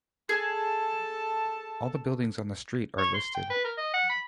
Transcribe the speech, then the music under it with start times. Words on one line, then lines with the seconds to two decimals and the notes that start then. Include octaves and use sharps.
All the buildings on the street are listed.
0.29 G#4 A4 A5
2.98 C#5
3.14 C6
3.35 G5
3.50 B4
3.64 A#4
3.78 D#5
3.94 F#5
4.09 B5